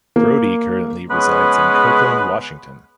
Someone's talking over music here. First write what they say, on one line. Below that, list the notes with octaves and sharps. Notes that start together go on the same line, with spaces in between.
Brodie currently resides in Kirkland, Washington.
A#3
C#3 G#3 B3 C#4 B4